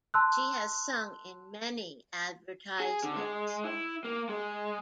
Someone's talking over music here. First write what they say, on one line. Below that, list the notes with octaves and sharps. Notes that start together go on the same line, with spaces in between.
She has sung in many advertisements.
A5 C6 E6 F#6
G#4
D3
G#3
E4
A#3
G#3